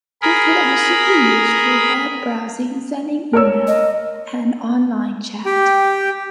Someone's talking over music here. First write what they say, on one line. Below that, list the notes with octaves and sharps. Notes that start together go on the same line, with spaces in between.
It could also be used for web browsing, sending email, and online chat.
G#4 A#4 B5
A#4 C#5 E6
D#5
G4 G5